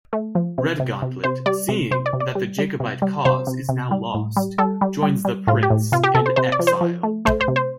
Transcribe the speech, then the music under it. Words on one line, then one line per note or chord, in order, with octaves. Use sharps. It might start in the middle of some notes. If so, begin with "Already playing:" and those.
Redgauntlet, seeing that the Jacobite cause is now lost, joins the Prince in exile.
A3
F3
C3
C3
C3
C3 C5
G3 D5
C3
C3 C5
D5
C3
D5
G3
G3
C3
G3
C3 C5
C3
C3
G3
A2
G3
G3 A4
G3
G3
G3
A2 F4
G4
A2
C3 F4
G4
C3 A4
C5
C3 C5
D5
F3
C5
F3
A3
A3 C5
C5
C3
C5